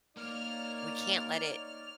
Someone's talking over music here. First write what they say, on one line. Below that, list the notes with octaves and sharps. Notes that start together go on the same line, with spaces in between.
we can't let it
A#3 D#4 C#5 D5 F6 F7